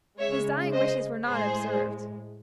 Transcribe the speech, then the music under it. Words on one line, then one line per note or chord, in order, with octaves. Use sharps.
His dying wishes were not observed.
C#3 G#3 C#5 E5
C5 D#5
A2 G#3 G#4 C5